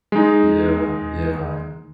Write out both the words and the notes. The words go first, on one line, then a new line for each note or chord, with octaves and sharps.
Yeah, yeah, and
G#3 D#4